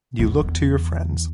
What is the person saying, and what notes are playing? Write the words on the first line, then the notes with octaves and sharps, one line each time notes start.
You look to your friends.
E2